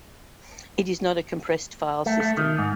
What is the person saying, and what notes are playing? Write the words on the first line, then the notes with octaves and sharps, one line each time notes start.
It is not a compressed file system.
A3
A3
D#3
G#2